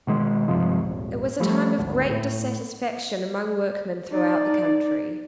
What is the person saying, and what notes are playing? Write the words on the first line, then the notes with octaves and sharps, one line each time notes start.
It was a time of great dissatisfaction among workmen throughout the country.
B2 D#3 G#3
G2 C3 F3 G#3
D#1 G#1
F3 G3 A3
G#1 D2
A2
D#4 D5